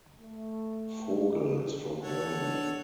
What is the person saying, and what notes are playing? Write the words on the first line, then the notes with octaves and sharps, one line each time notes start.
Vogel is from Germany.
A3
D4 A4 C#5 F#5